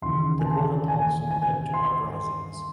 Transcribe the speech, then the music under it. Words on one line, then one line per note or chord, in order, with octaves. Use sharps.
The quota policy led to uprisings.
D#2 C#3 E3 C6
G#5
A5
G#5
G#5
C6